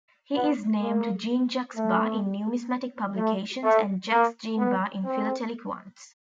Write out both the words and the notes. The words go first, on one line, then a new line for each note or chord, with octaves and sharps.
He is named "Jean-Jacques Barre" in numismatic publications and "Jacques-Jean Barre" in philatelic ones.
B3
A#3
A3
A3
A3
A#3
B3
C4